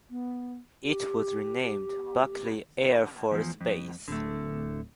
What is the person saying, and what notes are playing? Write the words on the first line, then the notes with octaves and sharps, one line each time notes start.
It was renamed Buckley Air Force Base.
B3
G4
E2 F3
F2
D1 D3 A3